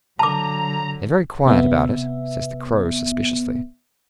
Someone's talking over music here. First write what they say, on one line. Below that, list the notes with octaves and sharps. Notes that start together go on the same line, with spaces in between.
"They're very quiet about it," says the Crow suspiciously.
D3 F#3 A5 A#5 D6
C3 B3 E5